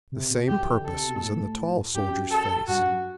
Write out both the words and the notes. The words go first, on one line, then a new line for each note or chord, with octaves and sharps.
The same purpose was in the tall soldier's face.
C3
B2
F#2 G4
E3
D3
A4
C3
B2
A2
F#2 G4
A4
G2 F#4
F#2